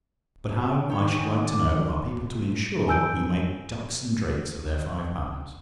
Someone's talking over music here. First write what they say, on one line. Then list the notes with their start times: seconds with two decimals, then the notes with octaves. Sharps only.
But how, I should like to know, are people to insure who make ducks and drakes of their five pounds?
0.90 D#3 G#4 C#5 G5
1.14 F#5 G#5 D#6
1.45 D5
2.88 G#5 E6 G6 D7